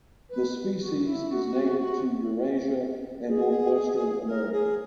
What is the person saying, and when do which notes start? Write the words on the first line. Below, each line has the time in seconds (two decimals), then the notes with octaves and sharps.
The species is native to Eurasia and Northwestern America.
0.29 B4
0.79 F#4
1.04 E4
1.29 F#4
1.78 F#4
3.27 G#4
4.26 A#4
4.51 G#4